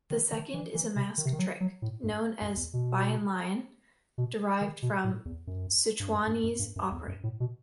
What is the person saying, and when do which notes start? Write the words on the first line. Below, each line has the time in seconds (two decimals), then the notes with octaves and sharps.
The second is a mask trick, known as Bian Lian, derived from Sichuanese opera.
0.10 D#3
0.32 D#3
0.54 E3
0.75 E3
0.96 C3
1.18 D#3
1.25 C3
1.33 D#3
1.39 F#3
1.60 F#3
1.82 A2
2.04 G2
2.42 F#2
2.57 E2
2.73 B2
4.18 B2
4.61 D#3
4.82 B2
5.04 A2
5.25 E2
5.47 F#2
6.00 G2
6.11 F#2
6.27 G2
6.43 F#2
6.59 G2
6.76 F#2
6.92 E2
7.08 F#2
7.24 A2
7.40 B2